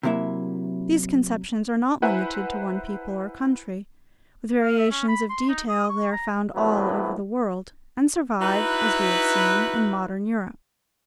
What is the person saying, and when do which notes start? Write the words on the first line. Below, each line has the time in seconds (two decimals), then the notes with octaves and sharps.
These conceptions are not limited to one people or country; with variations of detail they are found all over the world, and survive, as we have seen, in modern Europe.
0.03 C3 F#3 A#3 E4 E5
2.02 E4 B4 C5 F#5 G#5 A#5
4.62 F5
4.79 E5
4.91 C#4
5.08 B5
5.30 C6
5.49 D#4
5.69 D#6
5.90 C#6
6.12 A#5
6.54 A#1 E2 A2 C3 F#3 B4
8.41 D#4 E4 F#4 B4